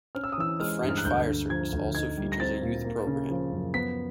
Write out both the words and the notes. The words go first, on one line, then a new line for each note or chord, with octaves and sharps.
The French fire service also features a youth program.
C#4 F6
E6
D#6
E3 E6
G#3 F6
G2
F6
F#6
D2 G6
D3
F3 G#6
D2
D#4 G#6
G3
A#6
C4 A6
A#2
A#3
C#3
F3
F#2
B3 B6